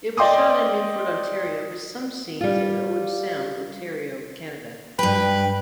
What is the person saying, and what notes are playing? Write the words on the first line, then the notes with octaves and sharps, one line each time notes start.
It was shot in Meaford, Ontario with some scenes in Owen Sound, Ontario, Canada.
D5 D#5 G5 C6 D6 D#6
G3 F4
G2 B4 G5